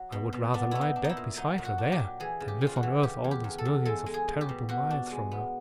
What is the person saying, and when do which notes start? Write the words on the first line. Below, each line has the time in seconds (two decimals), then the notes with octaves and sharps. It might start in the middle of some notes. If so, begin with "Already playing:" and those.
I would rather lie dead beside her there than live on Earth all those millions of terrible miles from her.
Already playing: F#3
0.12 B2
0.33 B2
0.54 B3 D4
0.71 B3 E4
0.81 D#4
0.96 D4
1.04 D#4
1.09 E4
1.17 A#2
1.36 F#3 D#4
1.58 A#2
1.65 F#4
1.78 D4
1.92 G4
1.99 F#3
2.20 E3 G#4
2.40 C#3
2.48 G4
2.61 C#3
2.67 F4
2.76 F#4
2.83 E3
3.03 C#3 G4
3.24 E2
3.31 G4
3.44 E2
3.58 A4
3.65 E2
3.85 G#3 A4
4.06 G#3
4.14 G#4
4.28 G#3
4.41 G4
4.49 B2
4.69 B2 F#4
4.90 D4
5.11 G#3
5.31 B3